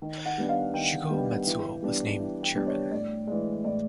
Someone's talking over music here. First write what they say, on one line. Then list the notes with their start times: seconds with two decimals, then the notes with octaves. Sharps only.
Shugo Matsuo was named chairman.
0.02 D#3
0.26 F#5
0.38 G3 B3 D4
0.49 F5
0.74 D#3 G5
1.11 G3 B3 D4
1.47 E3
1.82 G3 B3 D4
2.19 E3
2.43 G5
2.55 G3 B3 D4
2.67 C#5
2.91 A2 D5
3.27 E3 G#3 D5
3.64 A2 D5